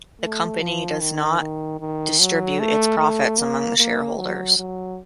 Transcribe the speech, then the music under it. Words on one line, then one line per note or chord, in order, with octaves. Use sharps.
The company does not distribute its profits among the shareholders.
A3
F3
D#3
D#3
D#3
F#3
A3
A3
A#3
A#3
F#3
F#3